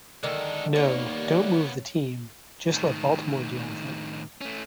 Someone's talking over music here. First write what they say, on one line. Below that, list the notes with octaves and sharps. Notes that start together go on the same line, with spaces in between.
No, don't move the team, just let Baltimore deal with it.
D3 D#3 G#3 A4
D#2 A#3 B3 C#5 D5
A2 D#3
A3 C#4